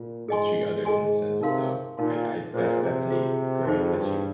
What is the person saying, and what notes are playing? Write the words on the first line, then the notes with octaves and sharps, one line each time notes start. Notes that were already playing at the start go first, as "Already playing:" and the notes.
you treat others in a sense. So, I I that's definitely great that you
Already playing: A#2 F4
G#2 G#4 D#5 G#5 C6
G#4 D#5 G#5 C6
C3 D#4 A#4 F5 C6
A#2 D#4 A#4 F5 C6
A#2 F4 G#4 C5
C3
F4 G#4 C5
F2 D#4 G#4 C5
G2